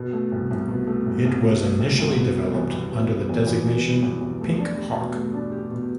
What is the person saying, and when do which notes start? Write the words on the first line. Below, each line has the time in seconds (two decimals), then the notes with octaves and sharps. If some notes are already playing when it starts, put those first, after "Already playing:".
It was initially developed under the designation Pink Hawk.
Already playing: B2
0.13 A3
0.32 C2
0.51 C2
0.68 B2
0.87 A3
1.06 C2
1.25 C2
1.42 B2
1.61 A3
1.80 C2
1.98 C2
2.18 B2
2.35 G3
2.54 E2
2.73 E2
2.92 B2
3.10 G3
3.29 E2
3.47 E2
3.66 B2
3.85 G3
4.03 E2
4.21 E2
4.41 A3
4.59 D4
4.77 G4
4.96 B2
5.15 A3
5.34 D4
5.52 G4
5.71 B2